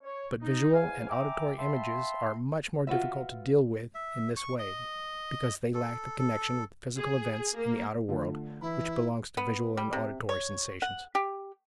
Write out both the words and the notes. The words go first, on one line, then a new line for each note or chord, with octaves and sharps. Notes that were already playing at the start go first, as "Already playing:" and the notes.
But visual and auditory images are much more difficult to deal with in this way, because they lack the connection with physical events in the outer world which belongs to visual and auditory sensations.
C#5
D#4
E2 G#2 F5 G#5
E5 G5 G#5 A#5 D6
E5 F5 G5 A5 B5 C6
F4 F#4 B4 E5
E5
C#6
D#5
A4
A4
G#4
A#3
D3 A3 F4
E3 E4 B5
B3
G3
C3
C#5
F#5
G4